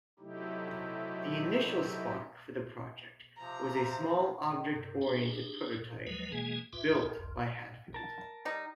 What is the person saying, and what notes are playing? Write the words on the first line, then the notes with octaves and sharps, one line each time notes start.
The initial spark for the project was a small object-oriented prototype built by Hadfield.
C3 F#3 A3 D#4 E4 G4
C3 F3 A#5
G2 C3
D4 D#4 G4 G#4
D#2 F3 F#3 G#3 B4
B2 E3 G#3 A#3 G#4 G#5
D2 G#2 F4 B4 E5 G5
G1 C2 F2
A#4 A5
G3 D#4